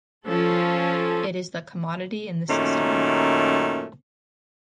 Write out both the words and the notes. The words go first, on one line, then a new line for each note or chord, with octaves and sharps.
It is the commodity in the system.
F3 C#4 A4
F#2 A#2 D#3 A3 C#4